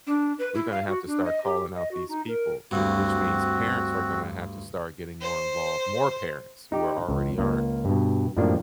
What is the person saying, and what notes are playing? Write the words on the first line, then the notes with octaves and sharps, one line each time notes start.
We're gonna have to start calling out these people, which means parents are gonna have to start getting more involved, more parents who are already aren't
D4
B4
E4
F5
F#4
D4
D#5
G4
D#5
F#4
D#4
A#4
D2 G2 C4 F#4
C5
D#4 G4 D#5
C#2
C#2 A#3 F5
G2 B2
F#2 A2 F3 G3 A#3 D4